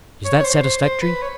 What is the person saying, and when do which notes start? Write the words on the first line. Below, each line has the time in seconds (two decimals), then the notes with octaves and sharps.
Is that satisfactory?'
0.25 C#5
0.40 C#5
0.45 C5
0.63 C5
0.82 C5
1.02 B4
1.22 C#5